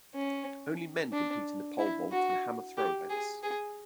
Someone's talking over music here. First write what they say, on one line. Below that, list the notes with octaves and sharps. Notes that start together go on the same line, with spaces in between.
Only men compete in the pole vault and hammer throw events.
C#4
D4
E4
F#4
G4
G#4
G#4